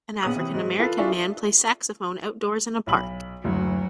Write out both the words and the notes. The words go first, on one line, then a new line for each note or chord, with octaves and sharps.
An African American man plays saxophone outdoors in a park.
A#1 B3 C#4 D#6 F#7
C3 E3
G#2
F4 A4 B4
D4 F4 G#4 E5 C#6
B1 B5 F#7
F#1 D2 F#3